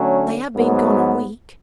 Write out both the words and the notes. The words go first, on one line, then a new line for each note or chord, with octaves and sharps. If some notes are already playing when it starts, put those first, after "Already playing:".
'They have been gone a week.
Already playing: D3 F#3 A3 C#4
G#2 F#3 B3